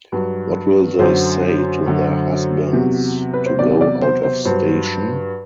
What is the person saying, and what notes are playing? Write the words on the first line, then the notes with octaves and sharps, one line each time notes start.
What will they say to their husbands to go out of station?
G2 F#3
F#2 D3 F#3 C5
F#2 D3 F#3
E2 C3 F#3
B4
C5
E2 C3 F#3 D5
D5
C5
C5
G2 F#3 C5